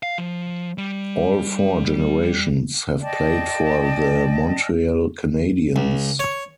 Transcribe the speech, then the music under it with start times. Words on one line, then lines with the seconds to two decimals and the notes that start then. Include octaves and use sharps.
All four generations have played for the Montreal Canadiens.
0.03 F5
0.18 F3
0.78 G3
3.02 D5 D#5 G5 A5
5.76 C#2
6.19 C#5